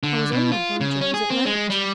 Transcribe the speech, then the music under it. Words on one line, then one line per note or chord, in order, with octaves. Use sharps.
I was only wondering was it late.
D3
B2
F4
C#3
C#4
G#4
C4
G#3
G3